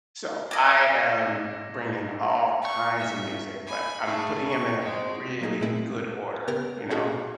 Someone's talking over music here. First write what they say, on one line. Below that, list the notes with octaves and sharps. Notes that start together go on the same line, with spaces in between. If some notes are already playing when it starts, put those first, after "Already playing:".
So I am bringing all kinds of music, but I'm putting 'em in a really good order, you know?
D5 D#5 D6 G#6 A#6
C#6
E5
G#5 B5
A3 G#4
C#6
G#3 C4
F#3 A#3 D#4 G#4
A#2 G#3 A3 C4 E4
C#3 B3 G4 A#4 F6 A#6
C#4 D#4 F#4 G#4 A4